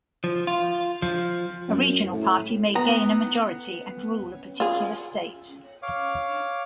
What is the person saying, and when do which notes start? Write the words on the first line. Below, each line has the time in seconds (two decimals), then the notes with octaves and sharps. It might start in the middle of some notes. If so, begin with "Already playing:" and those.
A regional party may gain a majority and rule a particular state.
0.24 F3
0.47 F4
1.02 F3
1.68 F#2
2.13 A2
2.75 B3 A#5
4.60 F4 G#4
5.82 C#5 F5 D6